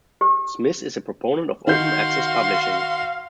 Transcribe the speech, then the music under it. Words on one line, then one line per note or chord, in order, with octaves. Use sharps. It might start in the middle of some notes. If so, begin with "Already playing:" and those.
Smith is a proponent of open access publishing.
G4
D#3 F#4 F5 C6 G6 C7